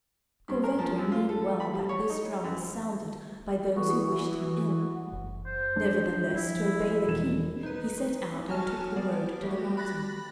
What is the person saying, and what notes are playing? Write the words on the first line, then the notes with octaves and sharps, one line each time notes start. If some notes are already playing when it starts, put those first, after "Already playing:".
Corvetto knew well that this drum was sounded by those who wished him ill; nevertheless, to obey the King, he set out and took the road to the mountain.
G2
A#4
F3
F#2
F4
A4
B5
G3
C#5
D#4
F#2
E3 B3 F#4
F#1
C5
F#3 D4
F3 E4
E1 E7
D#4 B4
F#3 F#4 C#5 G#5 A5 F6
G3 B3 D5
G3 A3 F#4 G4
B5 F#6 A6 A#6